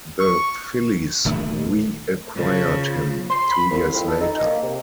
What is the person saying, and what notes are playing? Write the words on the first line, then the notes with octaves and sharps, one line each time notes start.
The Phillies reacquired him two years later.
C#6
D#1 D#3 A3 D4
C#3 F3
C6
B5
C2
F2
A4
D#4
A#3
C3